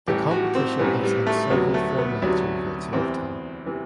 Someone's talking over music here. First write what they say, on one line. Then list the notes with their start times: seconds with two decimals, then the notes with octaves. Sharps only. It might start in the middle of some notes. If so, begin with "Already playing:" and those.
The competition has had several formats over its lifetime.
0.07 A1 A2 E3 G3 G4
0.31 F#4
0.55 C4
0.79 A1 A2 E3 G3 B3
1.03 G3
1.27 A3
1.50 D2 C3 F#3 B3
1.74 A3
1.98 B3
2.22 D2 C3 F#3
2.93 E2 C3 E3 C4
3.66 C3 E3